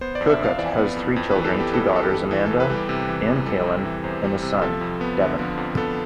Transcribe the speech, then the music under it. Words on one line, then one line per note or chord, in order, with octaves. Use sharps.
Turcotte has three children, two daughters, Amanda and Kaylyn and a son, Devan.
B3 C5
D5
F2
E5
F2 F5
E3 D5
B3
F2
F2
E3 B4
A4
B3
G4
F2 A4
F2 A4
G4
E3
E3
E2 A4
B4
G3
G4
C3
E3
E2
G3 A4
C3
E3
E2 C5
G3
C3
F3 A4
F2
B3
D3
F3
F2
B3 A4